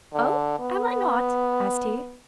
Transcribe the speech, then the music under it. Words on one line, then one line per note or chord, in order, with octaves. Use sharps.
'Oh, am I not?' asked he.
D3
B3